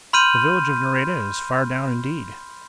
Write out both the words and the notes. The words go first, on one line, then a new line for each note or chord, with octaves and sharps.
The village of Nareda is far down indeed.
B5 C6 F6 G6 D#7